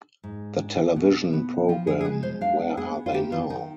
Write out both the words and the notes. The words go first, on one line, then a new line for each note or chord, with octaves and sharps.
The television programme Where Are They Now?
G#2
D4
B2
B3
F3 F4
G#4
G#4
G#3 B4
C5
D4 F5
B3 G#4
F4
D#3 G4
F4
D#3 D#4